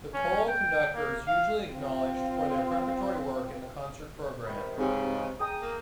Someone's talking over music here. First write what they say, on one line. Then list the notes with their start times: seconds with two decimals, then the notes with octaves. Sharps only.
The choral conductor is usually acknowledged for their preparatory work in the concert program.
0.13 C#4
0.48 G5
0.94 A#3
1.27 F5
1.72 C4 F4
4.46 C3 D#3 B5
4.78 G#2 C#3 C4 G4
5.40 G#4 G5 A#5 D#6
5.61 A#3